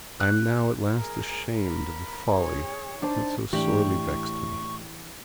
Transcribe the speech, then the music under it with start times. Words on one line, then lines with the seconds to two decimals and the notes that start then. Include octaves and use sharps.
I am now at last ashamed of the folly that so sorely vexed me.'
0.20 F#6
0.97 G#4 A#4
1.56 A#4 B5
2.31 G#4 C#5
3.02 D4 D#4 C5 A5
3.53 A2 E3 D4 G4 C#6 F#7